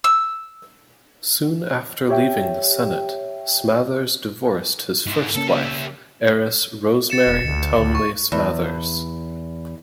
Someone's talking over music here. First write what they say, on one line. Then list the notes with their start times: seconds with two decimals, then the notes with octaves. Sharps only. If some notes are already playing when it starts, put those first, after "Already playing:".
Soon after leaving the Senate, Smathers divorced his first wife, heiress Rosemary Townley Smathers.
0.04 E6
2.09 G4 C#5 E5 G5
5.07 G#2 E4
5.35 C#3 A#3 C#4 A4
5.47 G3 E5
7.10 A6 C#7 E7
7.27 E1
7.44 D2
7.78 D2
7.95 C#6
8.32 E2